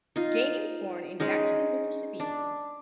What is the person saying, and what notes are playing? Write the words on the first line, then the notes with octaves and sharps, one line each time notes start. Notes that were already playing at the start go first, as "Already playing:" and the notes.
Gainey was born in Jackson, Mississippi.
D#4 F4
G#3 C#4 D#4
D4